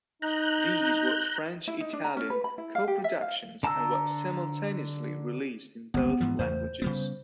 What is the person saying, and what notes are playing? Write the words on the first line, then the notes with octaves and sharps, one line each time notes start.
These were French-Italian coproductions and were simultaneously released in both languages.
D#4 A#5 F#6 G6
E4
D#4
D4
A#5
C#4
B4
B5
E4
F5
G4
E5
F5
D3 A5 A#5 E6
G1 C#2 B3
G#2 E3 F3
E2 A2 C#3 C5
C#3 G3 B3